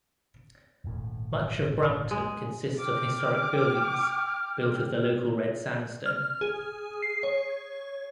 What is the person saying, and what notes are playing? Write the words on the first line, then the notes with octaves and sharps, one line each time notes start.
Much of Brampton consists of historic buildings built of the local red sandstone.
D#1 G#1 A2
G#3
G5 D6 F6
F6
G#4
C7
C#5